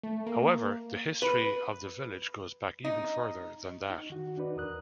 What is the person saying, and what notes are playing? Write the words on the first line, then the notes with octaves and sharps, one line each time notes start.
However, the history of the village goes back even further than that.
A3
A#3
B4
D#4
D#4
D#3 F#4
D4 D#4 F#4 B4 D5
E2 A#4 D#6 F#6